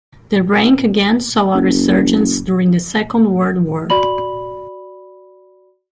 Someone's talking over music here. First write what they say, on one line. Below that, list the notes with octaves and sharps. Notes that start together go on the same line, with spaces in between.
The rank again saw a resurgence during the Second World War.
F#1
F#4 D5 B5 F#7